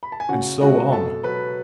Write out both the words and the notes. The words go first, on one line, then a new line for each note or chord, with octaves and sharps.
And so on.
B5
A5
G#5
C#3 F#4 F#5
G#3 F#4 F#5
B2 A4 A5
F#3 B4 B5